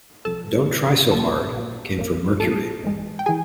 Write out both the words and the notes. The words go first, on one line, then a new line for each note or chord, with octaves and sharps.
"Don't Try So Hard" came from Mercury.
C2 C3 F3 A4 A5
C2 C3 F3
A#1 A#2 F#3 A#3 A4 A5
A#1 A#2 F#3 A#3
A#1 A#2 F#3 A#3
A#1 A#2 F#3 A#3 A4 A5
G#1 G#2 E3 G#3
G5
E3 G#4 G#5